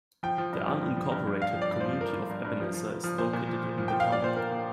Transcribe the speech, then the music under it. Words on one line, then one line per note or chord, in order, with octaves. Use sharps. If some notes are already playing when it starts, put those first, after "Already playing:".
The unincorporated community of Ebenezer is located in the town.
F3 G5
F3
G2
F3
G2
F3
G2
G2
G2 F5
F3
D5
G2
C5
F3
F3 A#4
F3
G2
G2
F3
F3
F3
F3
A#2 C5
A#2
F3
F3
F3
F3 G5
F5
A#2
D5
A#2 C5
A#2 A#4
A#2